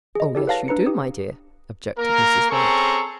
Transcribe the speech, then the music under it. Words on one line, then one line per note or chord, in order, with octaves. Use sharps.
"Oh, yes you do, my dear," objected Mrs. White.
G#4 D#5
E4 G4 A4 D5
B4 C#5 F5 A5 A#6
D4 B4 A#5 C#7
G4 D#6
A#3 A#4
C4 C#4 G#4 A4 A#5 C#6